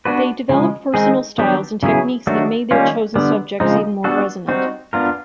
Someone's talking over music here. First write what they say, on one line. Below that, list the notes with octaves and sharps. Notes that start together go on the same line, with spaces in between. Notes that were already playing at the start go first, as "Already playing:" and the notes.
They developed personal styles and techniques that made their chosen subjects even more resonant.
B3 D4 F#4 B4
C#3 F3 G#3
D#3 G#3 C4 D#4 G#4
D#3 F#3 B3 D4 G4
C#3 F#3 B3 E4 G#4
D#3 F#3 A3 D4 F#4
D#3 G3 A#3 C#4 F4
D3 G3 B3
C#3 F3 G#3 C4 D#4
G3 B3 D4 F#4 A4
G3 C4 D#4 F#4
B3 D4 F4 A#4